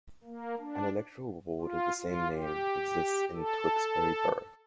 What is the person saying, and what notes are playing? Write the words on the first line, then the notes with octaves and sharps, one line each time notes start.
An electoral ward of the same name exists in Tewkesbury Borough.
A#3
D4
F4
F4
G4
A4